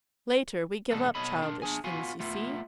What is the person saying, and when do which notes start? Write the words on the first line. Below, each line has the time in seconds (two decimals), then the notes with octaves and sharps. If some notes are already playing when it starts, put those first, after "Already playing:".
Later we give up childish things, you see.
0.91 D#2 A#2 G#3 B3 A4 B4
1.15 B2 A4 C#5 D#5 B5
1.42 D4 A#4
1.62 D4 G#4 G#5
1.84 B3 F4 F#4 F5 G#5
2.20 A3 B3 F4